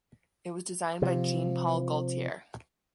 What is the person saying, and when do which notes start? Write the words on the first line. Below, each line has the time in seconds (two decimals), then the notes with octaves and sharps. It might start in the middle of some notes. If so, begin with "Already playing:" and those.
It was designed by Jean Paul Gaultier.
1.02 C3 F3